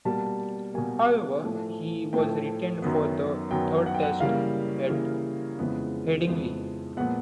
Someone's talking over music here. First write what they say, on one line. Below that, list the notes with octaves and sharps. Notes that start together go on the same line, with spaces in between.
However, he was retained for the Third Test at Headingley.
B2 G3 A#3 A5
B2 G3 A#3 G#5
A2 F3 A3
A2 F3 A3 G5
F#2 D#3 F#3 B3
F#2 D#3 F#3 B3 G5
F#5
G5
F#5
C#3 E3 G3 A#3 F5
C#3 E3 G3 A#3
F2 C#3 E3 G#3 B3
F2 C#3 E3 G#3 B3
A#2 F3 G#3 B3 F#5